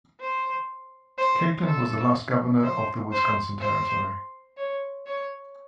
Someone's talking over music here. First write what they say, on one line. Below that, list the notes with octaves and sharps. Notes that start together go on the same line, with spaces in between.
Catlin was the last Governor of the Wisconsin Territory.
C5
C5
A4
C5
C5
C5
C#5
C#5